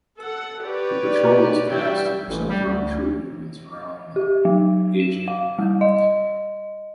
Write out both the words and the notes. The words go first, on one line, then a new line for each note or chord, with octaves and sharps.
The patrol was tasked to intercept German troop movements around the Aegean Islands.
A4 F#5
G4 B4 C#5 D5
E3 G3 F#4 D5 E5 G5
A1
G3
D2
G4
F#3
E7
F5
G3
D#5